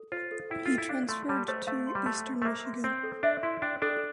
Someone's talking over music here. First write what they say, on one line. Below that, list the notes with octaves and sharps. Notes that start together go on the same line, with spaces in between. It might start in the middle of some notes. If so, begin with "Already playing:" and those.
He transferred to Eastern Michigan.
Already playing: A4
F4 C5
A4
E4 G5
F4 A4
E4
D4 F5
A3 C6
G3 A5
A3 C5
A3 F5
C6
G3
A3 A5
C5
A3
A#3 E5
C6
C4 G5
A4
D4 E5
E4 C6
D4 G5
D4 A4